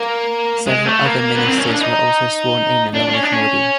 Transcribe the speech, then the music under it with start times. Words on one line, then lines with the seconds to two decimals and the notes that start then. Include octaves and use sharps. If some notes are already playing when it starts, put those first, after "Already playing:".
Several other ministers were also sworn in along with Modi.
Already playing: A#3
0.66 G#3
0.85 A3
1.04 A#3
1.35 B3
1.47 C4
1.58 C#4
1.69 D4
1.80 D#4
2.94 D4
3.08 D4
3.13 C#4
3.23 D4
3.32 C#4